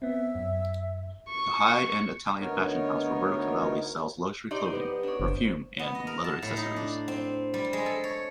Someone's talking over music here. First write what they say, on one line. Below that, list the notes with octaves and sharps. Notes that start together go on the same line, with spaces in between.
The high-end Italian fashion house Roberto Cavalli sells luxury clothing, perfume and leather accessories.
B3 C4 E5
F#2
C#6
D2 B3 D#4 A#4 C#5
D#4 G4 C5 D5
B3 D#5
D4 C#5
F#1 C5
B3
D#5
A#4
A5
A2
D#4
D4
C4
G3
G#3
A4
C#5